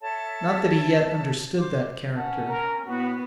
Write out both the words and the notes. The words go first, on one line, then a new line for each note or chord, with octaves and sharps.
Not that he yet understood that character.
A4 C#5 E5 A5
C5 D6
C#4 F#5 A5
A#4
A2 B3 F#4